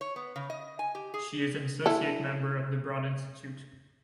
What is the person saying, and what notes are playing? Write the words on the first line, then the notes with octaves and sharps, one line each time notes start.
She is an associate member of the Broad Institute.
C#5
B3
C#3
D#5
G#5
G4
G#4
E4 A4